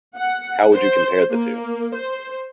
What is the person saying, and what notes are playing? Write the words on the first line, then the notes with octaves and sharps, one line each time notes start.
How would you compare the two?
F#5
C5
A#3
C5